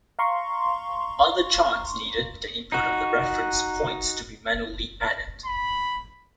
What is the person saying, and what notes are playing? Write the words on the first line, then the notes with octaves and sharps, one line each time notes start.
Other charts needed the input of the reference points to be manually added.
F5 A#5 C6 C#6
D#4 F#4
B5